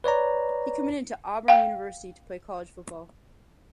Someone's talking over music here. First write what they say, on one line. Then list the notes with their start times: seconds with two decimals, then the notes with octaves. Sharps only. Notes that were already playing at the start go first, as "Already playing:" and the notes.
He committed to Auburn University to play college football.
0.04 B4 C#5 D5 A#5
1.48 F5 G5